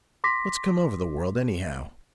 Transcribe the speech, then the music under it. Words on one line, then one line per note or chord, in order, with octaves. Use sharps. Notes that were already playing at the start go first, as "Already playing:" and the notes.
What's come over the world anyhow?
C6 D6 A#6 B6